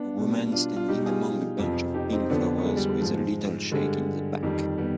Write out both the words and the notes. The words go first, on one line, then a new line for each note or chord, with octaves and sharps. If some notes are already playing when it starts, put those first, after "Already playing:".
A woman standing among a bunch of pink flowers, with a little shack in the back.
Already playing: B3 D4
B2 G3
D4 F4
F4
B2 G3 D#4 G4
F4 G#4
F2 C3 F3
D#4 G4
C4 D#4
F2 D3 F3 B3 D4
B3
G#3
G3
G#3
G#2 F3
G2 D3 G3 G#3
F2 D#3 G3
G3 B3